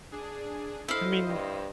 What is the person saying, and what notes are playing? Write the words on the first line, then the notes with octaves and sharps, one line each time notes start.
I mean
D4 G#4
E4 A4 C5 D#5 F5
G2